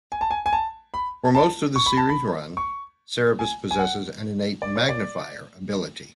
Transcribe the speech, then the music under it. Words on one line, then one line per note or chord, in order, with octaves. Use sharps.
For most of the series' run, Cerebus possesses an innate "magnifier" ability.
G#5
A5
G#5
G#5
A5
B5
A5
C#6
B5
A5
B5
C#6
G#5
G#5
F#5
D5
C#5
D5